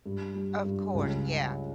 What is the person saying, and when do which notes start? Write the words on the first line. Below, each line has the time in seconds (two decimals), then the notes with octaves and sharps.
Of course, yeah.
0.06 G2
0.35 G3
0.65 G2
0.94 C#2